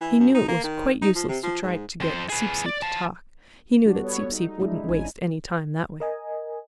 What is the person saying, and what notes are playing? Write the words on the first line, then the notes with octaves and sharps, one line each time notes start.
He knew it was quite useless to try to get Seep-Seep to talk, He knew that Seep-Seep wouldn't waste any time that way.
E3
F#2
D#4
A#3
D#3
D#4
F3
C3
F3
G#2
F2 C5
G#4 B4
D5
F5 A5
G3 D4 F#4
B3 A4 C#5
D#4
G#3 D4 E4
G#1 C#4 D#4 G#5
A#4 D#5 G#5